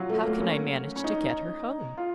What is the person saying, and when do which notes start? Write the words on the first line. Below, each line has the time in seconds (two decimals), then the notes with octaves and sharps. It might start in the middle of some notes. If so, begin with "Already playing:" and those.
'How can I manage to get her home?
Already playing: F#3 F4
0.09 A3
0.25 A#3
0.41 C#4
0.96 C#4
1.04 D#4
1.97 F4